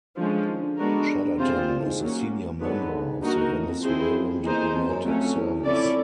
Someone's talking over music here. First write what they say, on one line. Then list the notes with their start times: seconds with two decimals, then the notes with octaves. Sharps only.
Chaderton is a senior member of the Venezuelan Diplomatic Service.
0.17 D3 F3 G#3 C#4
0.48 D#3
0.62 D3
0.78 G#3 B3 D4 F#4 A#4
1.39 C3 G3 C4 F4 G#4 C5
1.54 A#2
1.69 A#2
1.80 A2
1.85 G#2
1.99 F#3 A#3 C#4
2.61 G#2 D3 F#3 B3
3.21 G2 A#3 D#4 F#4 A#4
3.36 G#2
3.51 A2
3.67 F2
3.83 C4 E4 G#4 C5
4.43 E2 A#3 D#4 G#4 C5
4.74 F2
4.89 F#2
5.04 F2 F#3 A3 C#4
5.35 E2
5.65 F2 C#4 E4 A4 D5